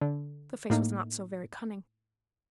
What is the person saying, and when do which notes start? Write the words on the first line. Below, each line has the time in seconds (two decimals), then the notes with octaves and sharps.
The face was not so very cunning.
0.01 D3
0.70 A2 A#3 D#4